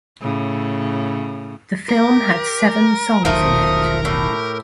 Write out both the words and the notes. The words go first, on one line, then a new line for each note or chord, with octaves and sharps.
The film had seven songs in it.
A2 C#3
G4 A#4
E1 B1 D#3 F3 A3 A#4 A#5 D#6
A2 G4